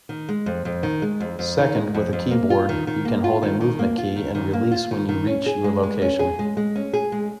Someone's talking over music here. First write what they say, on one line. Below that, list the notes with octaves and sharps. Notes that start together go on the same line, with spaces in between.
Second, with a keyboard you can hold a movement key and release when you reach your location.
D#3
G#3
F2
F2
D#3
G#3
F2
F2
D#3
G#3
F2
F2
A#3
F4
D#3
D#3
A#3
F4
D#3
D#3
A#3
F4
D#3
D#3
A#3
F4
D#3
D#3
C#4
G#4
G#3
G#3
C#4
G#4
G#3
G#3
C#4
G#4
G#3